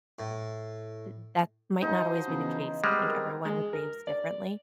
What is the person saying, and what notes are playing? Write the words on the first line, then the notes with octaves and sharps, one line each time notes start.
th that might not always be the case. I think everyone grieves differently.
A2
F3 F#3 D#4 C5
C#3 E3 B3
G3 G#3 B3 C4 F6
A#4
G#3
A#4
D5